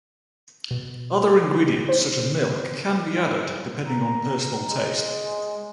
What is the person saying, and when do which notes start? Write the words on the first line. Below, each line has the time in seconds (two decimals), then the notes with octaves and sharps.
Other ingredients such as milk can be added depending on personal taste.
0.71 B2
1.44 D3
1.89 C5
3.87 A#5
4.65 G#3